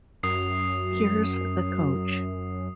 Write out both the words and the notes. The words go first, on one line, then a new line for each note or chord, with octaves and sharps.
Here’s the coach.
F#2 D#6 C7